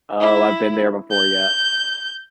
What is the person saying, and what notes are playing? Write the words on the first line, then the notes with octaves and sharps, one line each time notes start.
Oh, I've been there before, yeah.
E4
G6